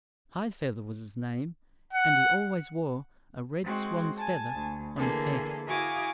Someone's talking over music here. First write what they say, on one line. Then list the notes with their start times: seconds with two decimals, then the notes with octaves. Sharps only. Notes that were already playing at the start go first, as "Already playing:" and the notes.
High-feather was his name, and he always wore a red swan's feather on his head.
1.93 F#5
3.63 G#3 C4 F#4
4.17 G#5 A5
4.54 D2
4.96 D3 E3 A#3 G#4 A4
5.66 E4 F#4 F5 G#5 D6 D#6